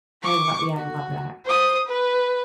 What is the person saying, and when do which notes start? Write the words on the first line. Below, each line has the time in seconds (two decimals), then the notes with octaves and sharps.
I lo yeah, I love that.
0.23 C#6 D6
0.76 F#4
1.45 C5 D#6
1.87 B4